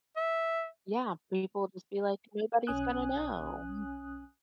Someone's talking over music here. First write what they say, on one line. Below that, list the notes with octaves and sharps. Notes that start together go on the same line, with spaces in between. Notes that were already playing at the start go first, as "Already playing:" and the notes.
Yeah, people just be, like, nobody's gonna know, mm.
E5
B1 C#4 G#5 D#6 F#6